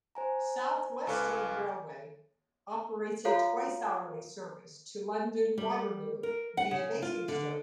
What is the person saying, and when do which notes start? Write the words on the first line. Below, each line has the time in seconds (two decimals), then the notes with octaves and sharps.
South Western Railway operates a twice-hourly service to London Waterloo via Basingstoke.
0.15 C5 G#5 A#5
1.07 C#2 A4 B4 F5 G#5 C#6 D6
3.25 F4 F#4 A4 C#5 F5 A#5
5.58 G3
6.23 A#4
6.57 F#5
6.71 C#3
7.02 F4
7.28 D3